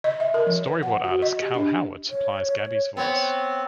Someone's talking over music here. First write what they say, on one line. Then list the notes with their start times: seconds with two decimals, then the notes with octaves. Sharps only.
Storyboard artist Cal Howard supplies Gabby's voice.
0.04 D#5
0.20 E5
0.34 A#4
0.47 F3
0.65 B4
0.83 F#5
1.04 F#4
1.22 D#5
1.42 G4
1.55 D4
2.11 C#5
2.46 C#5
2.97 B3 C4 C#5